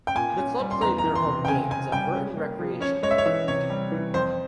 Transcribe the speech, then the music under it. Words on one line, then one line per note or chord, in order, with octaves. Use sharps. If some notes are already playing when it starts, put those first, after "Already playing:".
The club played their home games at Burton recreation ground.
G5
A#2 G#5
C#4
G3
C6
E2 A#5
A#5
E3
C6
C3
G5
C#3 G#5
C4 G#5
G3 G5
C#4
A#3
F3
C#4 C#5
G#3 C#5
E5
C#5
E3 E5
C3 C#5
G3
E3
F2 C5